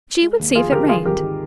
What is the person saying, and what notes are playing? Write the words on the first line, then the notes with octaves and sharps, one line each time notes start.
She would see if it rained.
G#3
D#2
F3 F4 G#4
D3 G4 A#4
G3 F4 G#4
G#1 G4 A#4
D#3